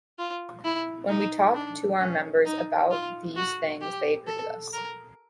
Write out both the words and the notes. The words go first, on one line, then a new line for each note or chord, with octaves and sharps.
When we talk to our members about out these things they agree with us.
F4
E4
D#4
D4
C#4
D#4
F4
F#4
G4
A4
A#4